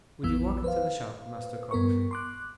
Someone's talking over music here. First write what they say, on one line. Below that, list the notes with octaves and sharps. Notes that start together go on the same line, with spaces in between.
Would you walk into the shop, Master Copperfield?'
A#1 F2 E3 B3 E6
B4 C5 F5
G2 B3 A#4 C#6
C6 D6 F#6